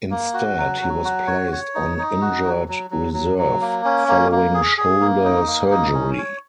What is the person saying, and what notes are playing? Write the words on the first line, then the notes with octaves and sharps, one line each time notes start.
Instead, he was placed on injured reserve following shoulder surgery.
A#3
F#4
F#3
F#3
F#4
C#5
C#5
D#4
D#4
F#4
F#3
F#3
F#3
F#3
F#3
A#3
C#4
A#3
A#3
G#4
G#4
A#3
D#4
A#3
D#4
C#4
C#5